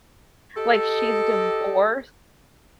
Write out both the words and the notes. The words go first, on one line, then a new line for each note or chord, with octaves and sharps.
like, she's divorced
G4 A4 D#5